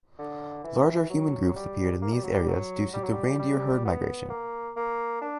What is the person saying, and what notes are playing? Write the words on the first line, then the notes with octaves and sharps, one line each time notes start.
Larger human groups appeared in these areas due to the reindeer herd migration.
D3
E3
F#3
G3
A#3
G3
F#3
G3
F#3
G3
F#3
G3
G3
B3
A#3
A#3
D4